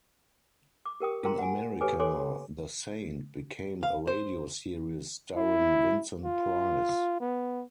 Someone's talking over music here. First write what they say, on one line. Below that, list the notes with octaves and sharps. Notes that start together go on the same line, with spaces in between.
In America, "The Saint" became a radio series starring Vincent Price.
D6
G4 A#4 G5 D#6
F4 G#4 A#4 G5 A#5 C6
F#5 G#5
G4 A4 B4 C#5 G#5 D6
A4 C#5 G#5 C6 D6
F5
C5
E4
F4
B3